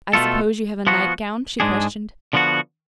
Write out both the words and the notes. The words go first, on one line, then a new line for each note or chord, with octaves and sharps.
"I suppose you have a nightgown?" she questioned.
B2 A3 F4 A4
F3 B3 F#4
G#2 G#3 D4 G#4
D3 F3 B3 F#4